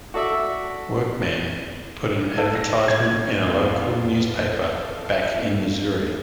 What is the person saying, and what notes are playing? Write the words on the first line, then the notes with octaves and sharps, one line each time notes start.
Workman put an advertisement in a local newspaper back in Missouri.
F#4 A4 D5 E5
A4
A#6
G#6
F2 B3 C4 F4 A4 F5